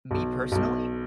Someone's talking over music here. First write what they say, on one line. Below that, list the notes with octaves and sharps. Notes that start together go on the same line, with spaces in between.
me, personally?
B1
B1